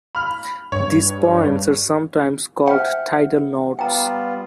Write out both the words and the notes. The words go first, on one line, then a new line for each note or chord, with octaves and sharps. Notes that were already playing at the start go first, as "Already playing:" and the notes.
These points are sometimes called tidal nodes.
B5 F6
G2 C#5
C5 E5 F#5 G5 F6
G3 B3 F4 G5 A#5